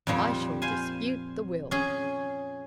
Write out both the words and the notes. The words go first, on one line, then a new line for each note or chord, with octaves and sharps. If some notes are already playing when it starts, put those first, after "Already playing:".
"I shall dispute the will."
F2 A#2 F3 G3
C5 F5 G#5
C#4 G#4